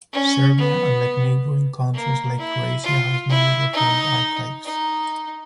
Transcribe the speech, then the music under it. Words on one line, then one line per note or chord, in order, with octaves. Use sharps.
Serbia, unlike neighbouring countries like Croatia, has no microfilmed archives.
C#4
B3
A#3
E4
F4
E4
D#4
D#4